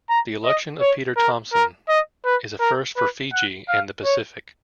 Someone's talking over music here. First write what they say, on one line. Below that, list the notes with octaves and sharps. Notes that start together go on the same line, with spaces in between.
The election of Peter Thomson is a first for Fiji and the Pacific.
A#5
D#5
C#5
A#4
A#4
D#5
B4
A#4
B4
F#5
F5
C#5